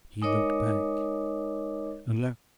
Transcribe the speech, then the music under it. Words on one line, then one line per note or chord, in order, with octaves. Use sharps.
He looked back, and lo!
G#3 D#4 A#4 C#5 D#5 D6